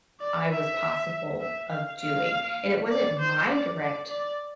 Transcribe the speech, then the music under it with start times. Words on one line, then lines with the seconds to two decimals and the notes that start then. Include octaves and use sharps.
I was possible of doing, and it wasn't my direct,
0.21 D5
0.51 E5
1.41 E5
1.70 F5
1.99 F5
2.90 D5
3.20 C5
3.49 D5
3.79 D5
4.08 D5